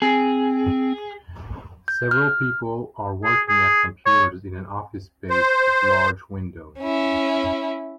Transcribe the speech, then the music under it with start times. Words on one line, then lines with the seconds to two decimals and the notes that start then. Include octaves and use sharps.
Several people are working at computers in an office space with large windows.
0.02 C4 G#4
1.88 G6
2.11 F6
3.24 G#4
3.49 G#4
4.06 C#5
5.30 C5
6.80 C#4 E4